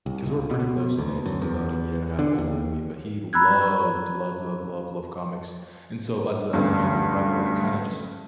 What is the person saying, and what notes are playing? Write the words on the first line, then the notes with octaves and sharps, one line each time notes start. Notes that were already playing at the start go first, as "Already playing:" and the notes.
'cause we're pretty close in age. He's about a year and a half older than me. But he loved, loved, loved, loved, loved comics. And so as a as a younger brother, like, you kind of just
C2
C#2
B2
D2
F#2
E2
D3
D#2
A#5 B5 E6 F#6 G#6
A1 D2 G2